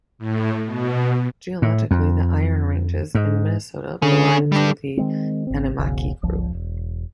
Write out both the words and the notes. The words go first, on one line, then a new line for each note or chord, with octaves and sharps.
Geologically, the iron ranges in Minnesota belong to the Animikie Group.
A2
B2
A2
F2
G#2
D3 C#4 G#4
G3 D4
D#3 G#3 C4
G#1 C4
E1 B1 C#3
G1 C#2 F3
E1